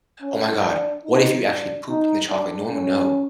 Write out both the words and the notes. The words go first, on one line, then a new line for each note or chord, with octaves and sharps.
Oh my god. What if you actually pooped in the chocolate? No one would know.
C#4
D4
D#4
D4
D#4
D4
C#4